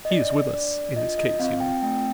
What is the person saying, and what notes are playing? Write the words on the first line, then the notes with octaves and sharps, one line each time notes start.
"He is with us in this case, you know."
D#5
D4 D5
D4 D5
F4 D#5
D#5
C4 F5
G5
A3 G5